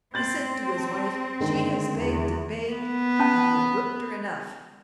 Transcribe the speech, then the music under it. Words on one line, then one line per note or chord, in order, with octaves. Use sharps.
He said to his wife she has begged and begged and you have whipped her enough.
C4 G6 A6 F#7
A5
D3 D#3 G#3
E2
B3
C#4 A5